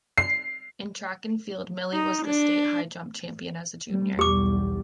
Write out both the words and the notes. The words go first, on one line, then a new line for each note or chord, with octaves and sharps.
In track and field, Mili was the state high jump champion as a junior.
C7
D#4
D4
G3
B1 E2 G3 G4 D6